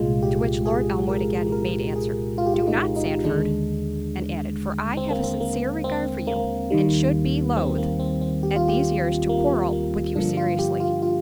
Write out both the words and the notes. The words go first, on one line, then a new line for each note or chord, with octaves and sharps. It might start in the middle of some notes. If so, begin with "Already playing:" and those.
To which Lord Elmwood again made answer, "Do not, Sandford;" and added, "for I have a sincere regard for you, and should be loath, at these years, to quarrel with you seriously."
Already playing: C2 A#2 G#3 F4
G4
G#4
A#4
A#4
G#4
F4
G4
F4
D#4
D#4
D#2 D3 G#3 D4
C4
A#3
C4
A#3
C4
A#3
D#2 D#3 G3
C4
A#3
C4
C4
G4
F4
G4
A#3
A#3
G2 D3 F3 A#3 D4
F4
G4
F4
F4